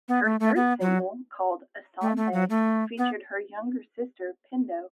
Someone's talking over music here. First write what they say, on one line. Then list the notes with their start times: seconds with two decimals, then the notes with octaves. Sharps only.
Her third single called ‘Asante’ featured her younger sister Pendo.
0.09 B3
0.25 A3
0.40 A3
0.56 B3
0.81 F#3
2.02 A3
2.17 A3
2.33 F#3
2.50 A3
2.98 B3